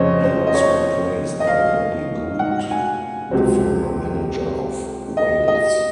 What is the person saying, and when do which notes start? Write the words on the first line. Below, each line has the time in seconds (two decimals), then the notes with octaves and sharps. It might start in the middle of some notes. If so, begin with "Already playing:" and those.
He was replaced by Bobby Gould, the former manager of Wales.
Already playing: F1 F2 C#3 F3 C5 C#5 D#5
0.24 C5
0.47 D#5
0.55 C#5
1.40 D#5
1.47 F5
2.39 F#5
2.71 G#5
3.31 C#2 C3 F#3 C5
5.17 D#5
5.48 D#5